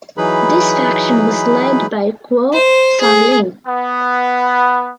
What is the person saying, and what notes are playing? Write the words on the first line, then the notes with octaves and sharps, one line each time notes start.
This faction was led by Guo Songling.
E3 F#3 D#4 G#4 B4 B5
C5
G#4
B3